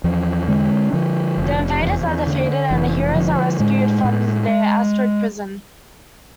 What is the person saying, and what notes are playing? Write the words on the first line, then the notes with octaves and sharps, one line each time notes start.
The invaders are defeated and the heroes are rescued from their asteroid prison.
E2 F3
D3 G#3
D3 F3
F1
E2
D3
F1 E3
D3 F3
A2 G#3
A2